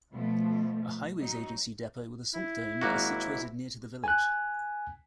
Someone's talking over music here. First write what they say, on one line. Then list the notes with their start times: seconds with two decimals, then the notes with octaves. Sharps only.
A Highways Agency depot with a salt dome is situated near to the village.
0.12 B2 F3 A3
1.20 F#3 D#4
2.33 E4
2.81 G#1 A#3 F#4
4.04 G#5 F#6